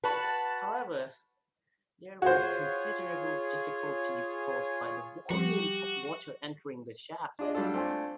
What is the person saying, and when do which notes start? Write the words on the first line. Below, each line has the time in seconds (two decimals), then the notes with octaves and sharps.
However, there were considerable difficulties caused by the volume of water entering the shafts.
0.04 F#4 B4 A5
2.22 F4 F#4 G#4 C5 C#5
5.30 F3 G3 F#4 G4
7.39 D4 F4 G#4 D5 D#5
7.55 F#3 G3 D4 F4 A4
7.74 A3 C4 D4 F4 G#5 C6